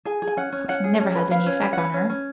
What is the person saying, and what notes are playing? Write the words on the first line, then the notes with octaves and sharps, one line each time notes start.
"Coaxing never has any effect on her."
G#4 G#5
G#4
G#5
C#4 F#5
C#4
C#4 F#5
G#4
C#4
B4
B4 F5
C#4
B4
F#5
B4
C#4
C#4